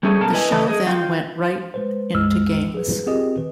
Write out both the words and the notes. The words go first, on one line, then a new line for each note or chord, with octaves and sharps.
The show then went right into games.
G3 A3 C#4 G#4 A4
B2 A4 A#4 F5 A5
E4 B4 D#5 G#5
C#3 E3 B4 D#5 A5
G#4 D#5
F4 F5 G5
G#3 B4 C5
C2 F#2 G#3 E6 F6
G#4 B4
C4 F4 G4 G#4 A#4 D#5
D#3 B4